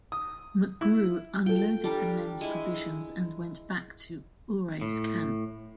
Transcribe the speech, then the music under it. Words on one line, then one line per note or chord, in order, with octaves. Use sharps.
McGrue unloaded the men's provisions and went back to Ouray's camp.
D#6
E4
F4 A4 G5
G3 D4 A#4
G#3 E4
A2